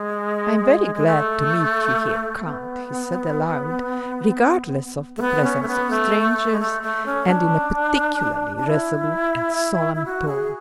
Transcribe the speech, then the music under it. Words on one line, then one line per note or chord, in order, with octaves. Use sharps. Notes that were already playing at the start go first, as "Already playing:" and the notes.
"I am very glad to meet you here, Count," he said aloud, regardless of the presence of strangers and in a particularly resolute and solemn tone.
Already playing: G#3
G#3
A3
B3
A3
B3
C#4
A3
B3
A3
G#3
A3
A3
C#4
D4
D4
E4
E4
F#4
G#4